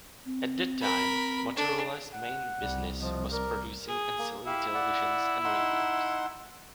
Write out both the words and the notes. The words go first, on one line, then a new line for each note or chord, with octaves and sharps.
At that time Motorola's main business was producing and selling televisions and radios.
C4
A#4 B5
D4 A4
F#5
C2 G3
F3 D#5
A#4 D5
G#4
A#3
E4 G4 F5
D5 F#5
D#4 F#5 C6